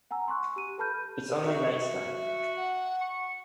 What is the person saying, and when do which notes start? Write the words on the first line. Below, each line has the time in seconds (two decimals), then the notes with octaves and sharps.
It's on my nightstand.
0.11 F#5 G#5 A#5 E6
0.28 C6 C#6 F#6
0.56 G4 D#7
0.78 A4 B4 A5 B5 F6 G6
1.45 F#4 E5
2.21 E5
2.57 F#5
3.01 C#6